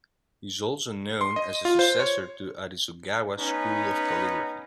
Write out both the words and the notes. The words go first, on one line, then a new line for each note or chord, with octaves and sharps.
He is also known as a successor to Arisugawa school of calligraphy.
C6
D#5
F4
C5
C#5
B3 C#4 D#4 B4